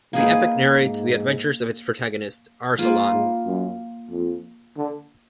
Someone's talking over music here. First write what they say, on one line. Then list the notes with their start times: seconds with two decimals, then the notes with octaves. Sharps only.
The epic narrates the adventures of its protagonist, Arsalan.
0.13 G#2 A#3 D#4 G#4 B4
0.80 G#2
2.78 G#2 A#3 F4 B4
3.12 G#2
3.45 F#2
4.10 F2
4.77 D3